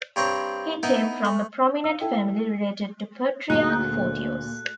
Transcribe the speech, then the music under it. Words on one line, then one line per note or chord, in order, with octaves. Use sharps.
He came from a prominent family related to Patriarch Photios.
G2 C4 C#5 A#5
B3 D#4 E4 B4
A3
F5 E6
E4 A4 G5
D2 A#2 A3 F#4 G#4 F#6